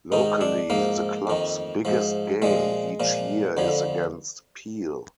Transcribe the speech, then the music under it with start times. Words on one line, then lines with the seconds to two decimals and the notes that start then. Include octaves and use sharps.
Locally, the clubs biggest game each year is against Peel.
0.12 G#2 D#3 D#4
0.41 D4
0.70 G#2 F3 A#3
1.27 F2 D#3
1.85 G#2 F3
2.42 A#2 F3 G#3
3.00 A#2 F3
3.57 F2 D3 F3